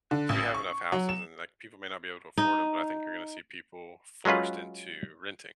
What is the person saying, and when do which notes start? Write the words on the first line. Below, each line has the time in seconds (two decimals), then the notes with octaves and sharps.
so we have enough houses and, like, people may not be able to afford 'em, but I think you're gonna see people forced into renting,
0.11 D3
0.29 A1
0.54 C#6
0.92 F#3
1.09 E7
2.38 D#4
4.25 F#3 G#3 C#4 F4 B4